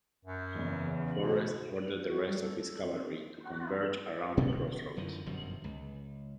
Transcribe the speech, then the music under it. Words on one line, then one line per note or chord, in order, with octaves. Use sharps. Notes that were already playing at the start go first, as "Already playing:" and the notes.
Forrest ordered the rest of his cavalry to converge around the crossroads.
F#2
E2 C#3
B2
F#4
G3
A4
C4
B2 D3 B3 C#4
F#2 D3 E3 F3
G1 F#2 B2 F3
C#2